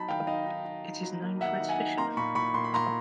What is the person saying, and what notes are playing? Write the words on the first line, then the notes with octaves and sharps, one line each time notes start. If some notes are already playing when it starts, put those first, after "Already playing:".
It is known for its fishermen.
Already playing: F#3 D#4 A5 B5
D#3 F5 G5
D#4 D#5 F5
D#4
D#4
D#4
F#3
A#3
D#3 E5 F#5
D#4
F#5 G#5
D#4
A#3 A#5 C6
A#2 B5 C#6
A#2 B5 C#6
A#2 C6
B5
A#2 A#5 C6